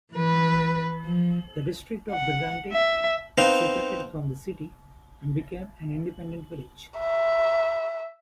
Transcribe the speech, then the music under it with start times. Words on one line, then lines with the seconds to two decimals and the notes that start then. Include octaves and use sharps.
The district of Berente separated from the city and became an independent village.
0.13 E3 B4
1.04 F3
2.11 F#5
2.73 E5
3.38 B3 C4 D#4 F5
6.98 E5